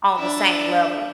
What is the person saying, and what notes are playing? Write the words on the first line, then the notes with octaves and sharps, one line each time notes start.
on the same level.
D4 E5